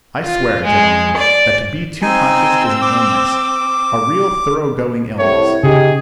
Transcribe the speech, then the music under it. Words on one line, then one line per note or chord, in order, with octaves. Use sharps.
I swear, gentlemen, that to be too conscious is an illness--a real thorough-going illness.
F4
G#3
D5
C4 D#4 G#5 E6
D6
C2 A2 C#5
C#3 D#4 G4 G#4